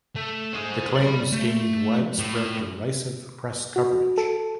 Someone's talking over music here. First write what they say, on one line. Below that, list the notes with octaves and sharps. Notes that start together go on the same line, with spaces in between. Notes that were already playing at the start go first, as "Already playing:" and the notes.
The claims gained widespread derisive press coverage.
A3
G#4 C5
D5 B5
A3
A2
F#4
A4